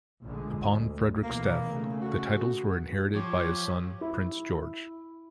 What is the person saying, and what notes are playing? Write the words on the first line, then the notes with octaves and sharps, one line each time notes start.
Upon Frederick's death, the titles were inherited by his son Prince George.
A#1 D3 G#3
D2
B1 B2 E3 A#3
C#3 A3
F#4
F3 G4 C#5
E4